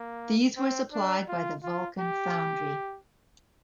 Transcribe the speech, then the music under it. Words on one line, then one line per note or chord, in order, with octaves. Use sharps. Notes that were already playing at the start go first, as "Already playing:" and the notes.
These were supplied by the Vulcan Foundry.
Already playing: A#3
C4
D4
F4
F4
G4